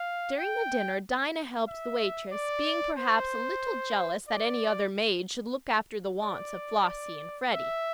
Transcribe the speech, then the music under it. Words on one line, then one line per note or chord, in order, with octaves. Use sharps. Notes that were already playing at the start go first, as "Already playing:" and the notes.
During the dinner, Dinah helped the waitress, being perhaps a little jealous that any other maid should look after the wants of Flossie and Freddie.
Already playing: F5
G5
E5
D5
C5
D5
D5
E5